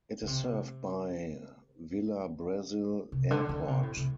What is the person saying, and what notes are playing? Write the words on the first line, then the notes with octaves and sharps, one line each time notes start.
It is served by Vila Brasil Airport.
D3
C3
C3
D3
D3
C3
A2
C3